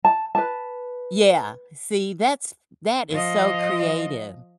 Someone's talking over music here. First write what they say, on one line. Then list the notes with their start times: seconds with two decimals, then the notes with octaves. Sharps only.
Yeah, see, that's that is so creative.
0.05 A5
0.35 B4 A5
3.11 F3 D#5